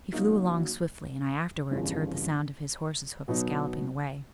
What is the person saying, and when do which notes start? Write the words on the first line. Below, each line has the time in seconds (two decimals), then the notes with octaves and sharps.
He flew along swiftly, and I afterwards heard the sound of his horse's hoofs galloping away.
0.12 C#3 F#3 A#3 D#4 F#4
1.71 G1 F2 C#3 E3 G3
3.28 B2 F#3 B3 D#4